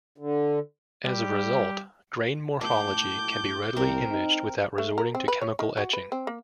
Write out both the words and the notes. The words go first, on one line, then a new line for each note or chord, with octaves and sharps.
As a result, grain morphology can be readily imaged without resorting to chemical etching.
D3
G3 G4
A2 D6 G6
C2 C4 A#4
D#4
A3
A#4
C4
B4
C#5
D#3
F#4
B4
C4
A#3